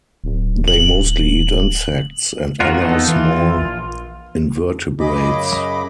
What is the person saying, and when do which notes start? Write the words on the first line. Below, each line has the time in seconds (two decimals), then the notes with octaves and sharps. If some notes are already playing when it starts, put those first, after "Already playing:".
They mostly eat insects and other small invertebrates.
0.24 D1
0.68 F#7
2.60 F2 F4 F#4 A#4
2.81 B3 D#4 A4
3.08 E3 F4
3.57 A#1
5.00 F#2 C#3 G#4 D#5 B5 D6